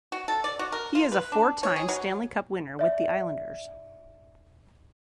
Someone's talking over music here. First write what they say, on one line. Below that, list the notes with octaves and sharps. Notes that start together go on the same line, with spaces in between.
He is a four-time Stanley Cup winner with the Islanders.
F#4
A4
D5
F#4
A#4
F4
B4
D4
C#5
G#4
F#3
D5 E5